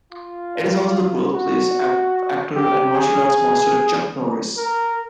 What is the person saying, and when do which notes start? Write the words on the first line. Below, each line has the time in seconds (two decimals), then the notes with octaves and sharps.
It is also the birthplace of actor and martial arts master, Chuck Norris.
0.13 F4
1.34 F#4
2.56 G4
2.95 G#4
4.57 A#4